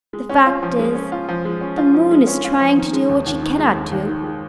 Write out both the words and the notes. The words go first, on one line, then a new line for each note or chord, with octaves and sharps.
The fact is, the moon is trying to do what she cannot do.
G#3
C#4
F4
F3
G#3
C#4
F4
F3
G#3
C#4
F4
F3
G#3
C#4
F4
F3
D#3
G#3
D#2
D#2
D#3
G#3
D#2
D#2
D#3
G#3